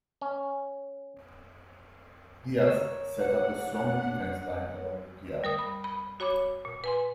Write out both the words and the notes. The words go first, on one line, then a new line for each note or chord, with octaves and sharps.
Diaz set up a strong defense line along the Piave.
C#4
A#4 C#5 E6
D4 F#5
G3 A#4 D#6
B5
B5
F#4 C#5 B5 D6
A#2
B4 G#5 C6